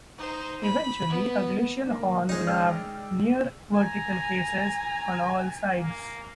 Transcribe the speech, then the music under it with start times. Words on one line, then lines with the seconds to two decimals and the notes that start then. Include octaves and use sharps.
Eventually, a glacial horn will have near vertical faces on all sides.
0.18 D#4 C5
0.61 B5
1.09 B3
1.86 A#3 D4
2.29 G#3 C#4 D#4
2.47 D5 G5 E6 F6
3.74 G#5 A#5
5.75 A#3